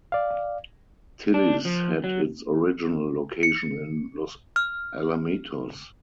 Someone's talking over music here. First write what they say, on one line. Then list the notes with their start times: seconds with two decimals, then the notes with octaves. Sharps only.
Tilly's had its original location in Los Alamitos.
0.12 D5 F5
1.34 D4
1.65 F3
2.04 F#3
3.43 C#7
4.56 F6